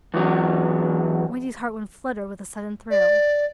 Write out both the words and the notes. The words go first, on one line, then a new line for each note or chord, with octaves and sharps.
Wendy's heart went flutter with a sudden thrill.
E2 F#3
D5